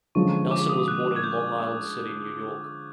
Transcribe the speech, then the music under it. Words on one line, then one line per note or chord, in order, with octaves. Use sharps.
Nelson was born in Long Island City, New York.
D3 F3 G#3 C#4 F4 C#6
D6
D#6
F#6
G#6
G6